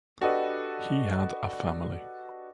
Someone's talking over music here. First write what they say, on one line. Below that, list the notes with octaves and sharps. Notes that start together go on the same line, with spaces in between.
He had a family.
D4 F#4 G4 A4 B4 D#5